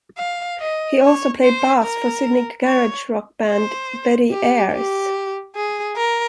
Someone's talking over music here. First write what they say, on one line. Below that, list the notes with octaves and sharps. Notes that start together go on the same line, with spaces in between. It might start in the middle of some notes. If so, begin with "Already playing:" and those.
He also played bass for Sydney garage rock band Betty Airs.
F5
D#5
C#5
C5
A#4
C#5
C5
G4
G4
G#4
A#4